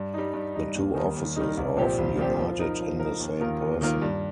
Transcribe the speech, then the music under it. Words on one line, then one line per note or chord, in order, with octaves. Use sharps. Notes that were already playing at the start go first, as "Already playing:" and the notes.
The two offices are often united in the same person.
Already playing: G2
G3 D#4
G2
G3 D#4
D#2
D#3 G3 D#4
D#2
D#3 G3 D#4
C2
A#2 F3 C4 G4
C2
A#2 F3 C4 G4
F3
D#4 A#4
F3
D#4 A#4
D#2
D#3 A#3 F4 A#4
D#2
D#3 A#3 F4 A#4
G2